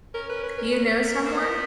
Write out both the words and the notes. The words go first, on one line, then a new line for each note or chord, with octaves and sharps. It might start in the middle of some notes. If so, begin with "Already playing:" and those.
You know someone?
C#4 A#4
B4
B4
A#4
B4
A#4
C4
B3